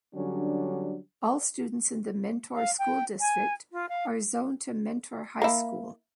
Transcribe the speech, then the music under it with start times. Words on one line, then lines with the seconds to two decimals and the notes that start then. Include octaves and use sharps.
All students in the Mentor school district are zoned to Mentor High School.
0.15 D3 F#3 G3 C#4 D4
2.54 F5
2.78 G5
3.20 G#5
3.72 F4
3.89 F5
5.42 A#3 E4